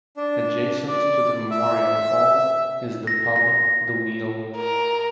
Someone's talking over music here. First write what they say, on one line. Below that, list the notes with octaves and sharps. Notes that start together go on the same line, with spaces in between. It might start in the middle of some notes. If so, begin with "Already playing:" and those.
Adjacent to the Memorial Hall is the pub The Wheel.
D4
D5
E5
A#6
A#6
A#4